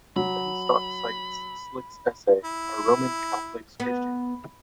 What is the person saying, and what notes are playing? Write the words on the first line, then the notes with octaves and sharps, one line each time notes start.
Sengstock cites Slick's essay Are Roman Catholics Christian?
F#3 B5
E4
B3